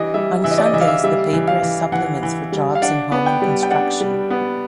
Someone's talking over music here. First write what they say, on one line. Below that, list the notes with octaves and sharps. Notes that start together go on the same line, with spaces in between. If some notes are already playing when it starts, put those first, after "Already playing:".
On Sundays the paper has supplements for jobs and home and construction.
Already playing: E3 G3 D#5
G3 E5
E3 E5
D#5
D5
D#5
E3 E5
F5
E5
G3 E5
E3
F5
E3
E3 F#5
E3
G3
F5
D4 F#5
B3
G5
G3
G5
D4 F#5
G3
B3